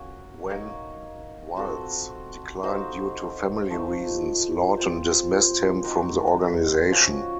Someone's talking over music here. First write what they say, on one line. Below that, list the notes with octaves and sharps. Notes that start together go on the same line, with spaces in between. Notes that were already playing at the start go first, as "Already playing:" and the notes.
When Walz declined due to family reasons, Lawton dismissed him from the organization.
Already playing: A#3 C#4 F#4
A#3 D#4 A#4 C#5
C4 F#4 A4
D#4 F#4 C5 F5
F3 A3 D#4
C4 F4 C5
C4 D#4 F#4 A#4
F3 A#3 C#4 F#4